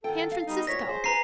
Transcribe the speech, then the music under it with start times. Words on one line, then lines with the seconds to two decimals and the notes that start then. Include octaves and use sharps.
San Francisco!
0.04 D#3 A4 F#5 G5
0.31 F5
0.47 G3 B3 D#4
0.67 D2 A#2 C#5 A#6 B6
0.88 G#4 C5
1.04 B4 G#5 A#5 C7